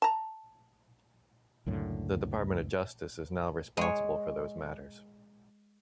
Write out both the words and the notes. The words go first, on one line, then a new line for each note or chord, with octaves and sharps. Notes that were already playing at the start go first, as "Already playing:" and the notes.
The Department of Justice is now responsible for those matters.
A5 A#5
C#2 F#2 A2 D3
G#3 C#5